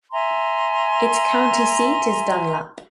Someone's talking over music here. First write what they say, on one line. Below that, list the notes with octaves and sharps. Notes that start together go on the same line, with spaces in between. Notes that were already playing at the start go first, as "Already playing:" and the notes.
Its county seat is Dunlap.
E5 G#5 A#5 C6